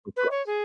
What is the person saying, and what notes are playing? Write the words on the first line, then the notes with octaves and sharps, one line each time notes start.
of course.
B4
C#5
G#4